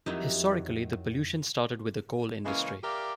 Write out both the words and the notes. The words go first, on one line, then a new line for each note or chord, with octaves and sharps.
Historically, the pollution started with the coal industry.
F2 D#3 F#3 D#4 E4 G4
C#3 E3 G#3 A#3 C#4
G4 A#4 D5 E5 F5